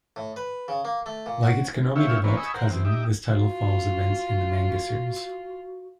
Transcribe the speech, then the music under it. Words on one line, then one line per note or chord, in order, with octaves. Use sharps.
Like its Konami developed cousin, this title follows events in the Manga series.
A2
B4
C#3
A#3
A3
A#2
F#4
C#4 E4 F4 C#5 E5 G5
E3 A#3 C4 D4 B4 C#5
D#5 G#5 B5 C#6 E6
A#4 C5 F#5 G5
E2 C4
D#4 G4 E5 D6
F4 F#4